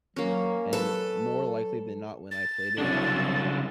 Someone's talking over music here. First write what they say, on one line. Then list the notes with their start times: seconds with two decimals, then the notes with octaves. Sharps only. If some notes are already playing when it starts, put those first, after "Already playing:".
and more likely than not when I played it,
0.16 F#3 A#3 C#4
0.73 F#3 A4 B4
2.31 A6
2.78 C2 F#2 C#3 D4